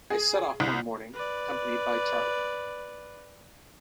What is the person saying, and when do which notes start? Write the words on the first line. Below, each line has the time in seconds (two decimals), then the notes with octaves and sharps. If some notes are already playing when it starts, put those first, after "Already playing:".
I set off one morning, accompanied by Charley.
0.10 G#4
0.60 C2
1.13 B4 D5